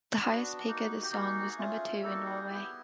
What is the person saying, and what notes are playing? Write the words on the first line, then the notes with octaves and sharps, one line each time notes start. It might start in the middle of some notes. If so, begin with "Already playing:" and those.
The highest peak of the song was number two in Norway.
B3 D4 F#4
A#3 D#4 F#4
G4
A#3 D#4 F#4 G#4
A3 C#4 F4
G3 A#3 D#4 F#4 A4
G#4
B3 E4 G4